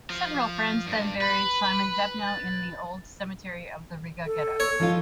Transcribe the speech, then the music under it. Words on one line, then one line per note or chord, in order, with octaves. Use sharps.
Several friends then buried Simon Dubnow in the old cemetery of the Riga ghetto.
F3
G2
B4 B5
A6
A4
C#5
F3 D#4 F4 A4